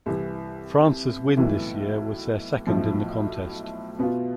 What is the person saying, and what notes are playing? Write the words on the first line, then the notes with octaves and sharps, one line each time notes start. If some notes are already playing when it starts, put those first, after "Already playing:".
France's win this year was their second in the contest.
C2 C3 E3
B1 A2 E3
B1 A2 F3
B2 B3 F4